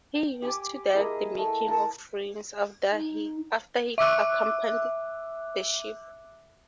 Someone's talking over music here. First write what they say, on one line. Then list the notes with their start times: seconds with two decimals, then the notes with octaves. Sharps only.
He used to direct the making of frames after he accompanied the ship.
0.14 G5
0.42 G4 G#5 D6
0.93 A#3 E4 G#4 D#5
1.38 A3
1.66 A#3 A#4 A5
2.92 D#4
3.98 E5 D6 E6 F#6